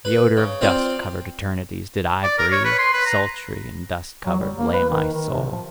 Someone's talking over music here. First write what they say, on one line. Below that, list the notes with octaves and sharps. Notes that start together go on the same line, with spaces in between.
The odour of dust-covered eternities did I breathe: sultry and dust-covered lay my soul.
B4
C#3
C4 F4 C5 D5
D5
A#4
C#5
B4
C6
B4
A#5
F#3
G3
A#3
B4
D#3
D#3
C3
F3